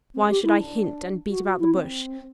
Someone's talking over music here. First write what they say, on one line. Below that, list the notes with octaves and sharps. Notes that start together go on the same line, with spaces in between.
Why should I hint, and beat about the bush?
C4
G4
E4
D4
F#4
F#4
E4
C4